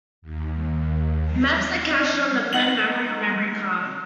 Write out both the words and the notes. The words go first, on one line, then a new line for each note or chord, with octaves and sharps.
Maps are cached on the phone memory or memorycard.
D#2
D#4 F#5 A#6 C7 F#7